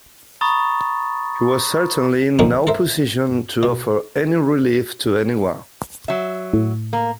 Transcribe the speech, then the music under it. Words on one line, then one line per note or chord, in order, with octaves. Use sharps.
He was certainly in no position to offer any relief to anyone.
A#5 B5 C#6 D#6 A6
D3 F3 A#3 C4 C#4 D#4
A4 A#4 C5 E5
B2
F#3 E5
A2
A#3